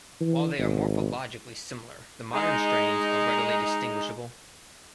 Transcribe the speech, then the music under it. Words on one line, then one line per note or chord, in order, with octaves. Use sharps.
While they are morphologically similar, the modern strains are readily distinguishable.
E3
G#1
G#3 D#4